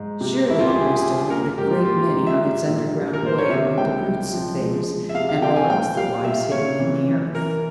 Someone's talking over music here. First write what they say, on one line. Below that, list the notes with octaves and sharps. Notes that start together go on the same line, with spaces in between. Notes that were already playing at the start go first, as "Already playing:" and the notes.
Surely it must have learned a great many on its underground way among the roots of things, and all else that lies hidden in the earth.
Already playing: G#2
C3
C2 E4
F4
G4
C2 G#4
C2
A#3 A#4
A#4
G#2 G4
F4
A#3 F4
G#2
E5
G3
A#2
G3
A#4
A#2 C5
C#5
C3 E5
C#2 G5
C3
F3
G#3
G#3
E5
C3 F5
F5
C3 G5
G#5
A#2 G5
G3 F5
A#2 E5
A#2 C#5
E3
E3
E3 A#4